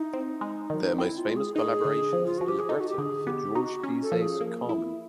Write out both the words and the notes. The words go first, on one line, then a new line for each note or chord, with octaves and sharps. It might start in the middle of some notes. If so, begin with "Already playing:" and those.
Their most famous collaboration is the libretto for Georges Bizet's "Carmen".
Already playing: D#4 E4
C4
G#3
D#3
C4 E4
F4
G#3
G#4
D#4 G#4
D3
F3
F4
F3 F#4
G4
G#4
D#4 A4
F#4
G4
D3 G#4
B3 G4
D#4 F#4
C#4
A4
F3
G#4
A#3
E4